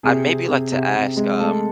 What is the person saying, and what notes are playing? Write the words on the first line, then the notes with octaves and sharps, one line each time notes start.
I, maybe, like to ask, um
C3 G#4
C3
C3
C3
C3
G#3
A3 A4